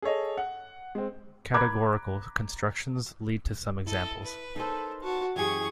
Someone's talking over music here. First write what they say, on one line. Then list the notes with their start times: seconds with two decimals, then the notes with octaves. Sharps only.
Categorical constructions lead to some examples.
0.02 G#4 A4 C#5 D#5
0.38 F#5
0.95 G#3 C4
1.54 A#5 B5 D6 F#6 G#6
3.86 E4 A4 D#5
4.22 B4
4.56 D#4 A4 A#4 C5
5.03 F#4 A5
5.36 F#2 E3 G4 G#4 C#6 G#6